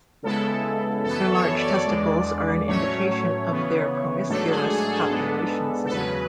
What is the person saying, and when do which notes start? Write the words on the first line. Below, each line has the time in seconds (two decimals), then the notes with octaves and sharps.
Their large testicles are an indication of their promiscuous copulation system.
0.23 C#3 G#3 B3 E4 A4
1.04 F#2 E3 B3 A4
1.31 C#5
1.58 D5
1.86 E2 D3 G#3
2.67 A2 F#3 A3 C#4 C#5
3.48 C#3 E3 B3
4.28 G#2 F#3 A3 D4 A4
4.49 G#4
4.70 G#4
4.90 A4
5.10 G#2 G#3 B3 D4
5.87 A4
5.90 E2 C#3 F#3 B4